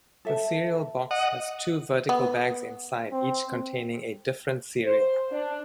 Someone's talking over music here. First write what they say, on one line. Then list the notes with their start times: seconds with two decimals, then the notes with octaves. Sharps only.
The cereal box has two vertical bags inside, each containing a different cereal.
0.25 A4 E5 A5
1.11 D#5 F#5
2.09 B3
3.12 C4
4.83 C5
5.30 D4